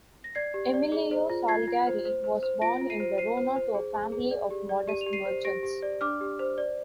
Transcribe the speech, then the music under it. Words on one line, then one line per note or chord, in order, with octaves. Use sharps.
Emilio Salgari was born in Verona to a family of modest merchants.
A#6
D5 G#6 C7
G4
D5
G#4
C5
F4
F4 G#6 C7
F4
C5
C5
C5
C5
F4 A#6 D7
F4
C7 D#7
C5
C5 C7 D#7
C5
C5
G#4
G#4
G#4
D5
G4
D5
G4 D#7
F7
G4
C7 D#7
C5
G4 A#6 D7
G4
D5
D4 D6 F6
G4
C5
D5